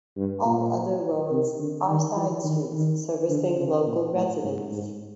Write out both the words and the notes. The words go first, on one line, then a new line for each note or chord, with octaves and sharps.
All other roads are side streets servicing local residents.
G2
A#2
C3
D3
D#3
E3
D#3
D#3
D3
C#3
A#2
A2
G#2
G#2